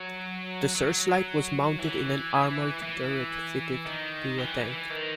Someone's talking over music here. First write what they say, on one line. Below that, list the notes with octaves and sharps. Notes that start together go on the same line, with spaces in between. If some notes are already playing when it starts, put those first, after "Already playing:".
The searchlight was mounted in an armoured turret fitted to a tank.
Already playing: F#3
F#3
E3
E3
D#3
E3
E3
D#3